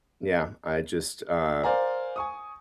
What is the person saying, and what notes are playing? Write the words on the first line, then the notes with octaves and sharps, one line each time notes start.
yeah, I just, um
A#4 C5 D5 F5 G#5 A#5
G#5 C#6 D#6